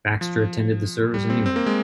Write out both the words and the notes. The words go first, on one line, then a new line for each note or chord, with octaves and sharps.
Baxter attended the service anyway.
F3
G3
C4
C4
A#3
G#3